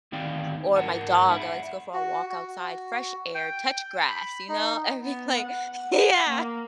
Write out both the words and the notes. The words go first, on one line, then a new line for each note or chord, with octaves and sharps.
or my dog, I like to go for a walk outside, fresh air, touch grass, you know? I'd be like Yeah!
D2 D#3 C4 D5 F5 G5
G#2 A#4 F#5 A5
E5 F#5 B5
F#4
F#4
G5
B5
D#4
B3
F#5
A#3